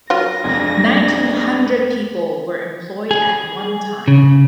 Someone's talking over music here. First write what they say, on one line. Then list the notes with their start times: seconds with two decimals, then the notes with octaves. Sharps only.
Nineteen hundred people were employed at one time.
0.10 F#3 F4 A#4 A#6
0.44 B1 F2 G#3 D4 G#5
3.11 G#4
4.08 C#3